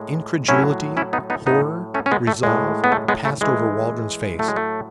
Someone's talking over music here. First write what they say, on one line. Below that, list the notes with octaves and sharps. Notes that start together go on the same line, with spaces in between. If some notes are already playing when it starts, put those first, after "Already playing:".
Incredulity, horror, resolve, passed over Waldron's face.
Already playing: A2 G#3
A2 F#3 C#4 E4
C#4 E4
B3 D#4
B3 D#4
A2 F#3 B3 D#4
A3 C#4
C#4
G#3 B3
A3
A2 G#3
B3
A3
G#3 B3
A3
A2 E3 G#3
A2 F#3 A3
G#3
A3